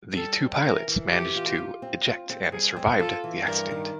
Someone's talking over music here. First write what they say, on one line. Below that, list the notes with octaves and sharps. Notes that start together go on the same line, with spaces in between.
The two pilots managed to eject and survived the accident.
G3 A4
C4
E3 A#4
E3
E3 G4
F4
F4
C4
F4
C4
G3 G#4
C4
F4 A4
E3
G2 A#4
D#3